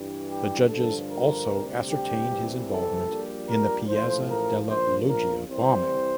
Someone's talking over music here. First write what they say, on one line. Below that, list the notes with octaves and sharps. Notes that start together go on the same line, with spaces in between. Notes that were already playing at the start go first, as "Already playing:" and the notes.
The judges also ascertained his involvement in the Piazza Della Loggia bombing.
Already playing: G2 E3 G3
G4
G2 D3 F3 A4
A#4
D2 C3 G3
G4
C2 C3 E3 G3
A4
A#1 A#2 G3
A#4
A1 A2 F3 C5
A#4
A#1 A#2 F3 C5
A#4
C2 C3 E3 G3 C5